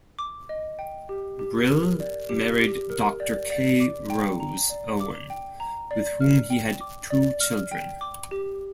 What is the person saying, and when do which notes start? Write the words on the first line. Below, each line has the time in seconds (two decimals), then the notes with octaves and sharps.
Brill married Doctor K. Rose Owen, with whom he had two children.
0.19 D6
0.49 D#5
0.79 G5
1.09 G4
1.39 G4
1.70 A#4
2.00 D5
2.29 G4
2.60 G4
2.90 A#4
3.20 D5
3.50 D5
3.80 D6
4.10 G5
4.40 A#5
4.70 D5
5.00 D6
5.30 G5
5.60 A#5
5.91 D5
6.21 F6
6.50 G5
6.81 D6
7.10 D5
7.40 F6
7.71 G5
8.01 D6
8.31 G4